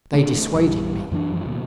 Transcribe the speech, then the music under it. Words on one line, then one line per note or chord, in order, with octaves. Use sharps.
They dissuaded me.
D3 D#3 A3 D4
D#3 A3 C4
A#1 E2 E3 G3
F#2 E3 C#4 D4
F#2 E3 F3 G#3
D1 D#2 B2